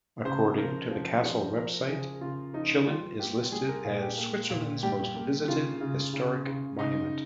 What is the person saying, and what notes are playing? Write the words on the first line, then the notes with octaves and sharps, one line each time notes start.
According to the castle website, Chillon is listed as "Switzerland's most visited historic monument".
C#3 C5
F3 A#4
F3
F3
F3 A#4
C#3 G#4
C#3 F4
F3 D#4
G3 F4
A#3 G4
G3 G#4
A#4
A#2 G#4
G4
A#3
A#2
G3 G4
A#3
C#3 F4
C#3
C#3
C#3
C#3 D#4